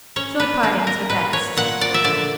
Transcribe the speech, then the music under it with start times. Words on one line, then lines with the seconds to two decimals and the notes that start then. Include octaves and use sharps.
"Short partings are best," said the Warden.
0.16 C#4 C#5
0.40 B4
0.63 A#3 B4
0.87 A#4
1.10 A#2 B4
1.33 C#5
1.57 A#2 F#5
1.81 D5
1.94 E5
2.04 D3 D5